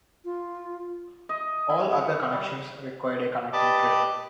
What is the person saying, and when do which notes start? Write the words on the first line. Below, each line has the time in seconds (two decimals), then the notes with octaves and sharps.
All other connections required a connecting train.
0.25 F4
1.29 D#5
1.70 E4
1.91 C#5
2.32 G3
3.53 G4 B4 D5 D#5 A5 D6